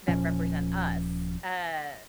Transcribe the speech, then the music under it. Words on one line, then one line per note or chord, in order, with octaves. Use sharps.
that represent us. Uh,
D#1 A#2 F3 C#4